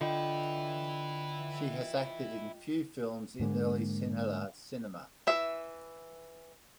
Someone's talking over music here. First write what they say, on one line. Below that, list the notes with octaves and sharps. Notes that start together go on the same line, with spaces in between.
She has acted in few films in early Sinhala cinema.
D3 E4 F4 B4 D#5 G5
G#2 D3 G#3 A#3
E3 E5